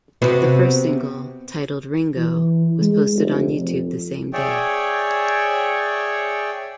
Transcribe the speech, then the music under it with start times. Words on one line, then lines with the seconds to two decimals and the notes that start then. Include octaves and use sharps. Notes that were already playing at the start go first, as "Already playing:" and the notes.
The first single, titled "Ringo," was posted on YouTube the same day.
0.22 C3 B3 F#4
2.16 E3
2.81 G#3
3.15 F1
3.57 F2
4.33 G#4 C#5 D5 E5 G5